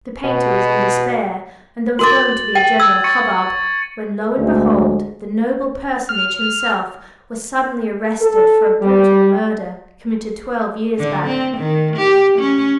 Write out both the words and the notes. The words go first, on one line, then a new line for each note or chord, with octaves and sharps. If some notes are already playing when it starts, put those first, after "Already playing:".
The painter was in despair, and there was going to be a general hubbub, when, lo and behold the 'noble' personage himself was suddenly arrested for a brutal murder committed twelve years back.
B2
F#4 A#4 D6 A6 F#7
G5 A6 D#7
E6 G#6
C#6 A6 C#7
D2 G#3
F6
A4
G3
D3
C4
D#3
G4
C#4